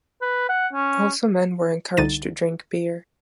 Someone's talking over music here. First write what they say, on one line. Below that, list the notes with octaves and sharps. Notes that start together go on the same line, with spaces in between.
Also men were encouraged to drink beer.
B4
F#5
C#4
C2 D3 D#4 A6 D#7